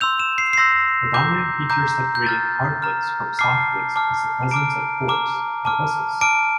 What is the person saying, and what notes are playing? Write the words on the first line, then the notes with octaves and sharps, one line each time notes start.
The dominant feature separating "hardwoods" from softwoods is the presence of pores, or vessels.
C6 E6 G6 F7
E7
C7
C7
C6 E6 G6 A#6
A#5 D6 G6
A#5 D6 G6
G6
A#5 F6 A6
A#5 F6
A5 D6 F6 C7
A5 D6 F6
A#5 D6 F6 D7
A#5 D6 F6
A5 D6 F6
A5 D6 F6 D7